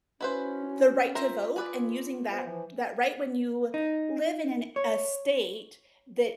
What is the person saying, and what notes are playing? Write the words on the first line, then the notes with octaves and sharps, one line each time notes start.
the right to vote and using that that right when you live in an a state that
C#4 E4 F#4 B4 C5
F4 A#4 C5 E5
G#4 B4 D5
B3 C5
E3 F3
D#4
C#5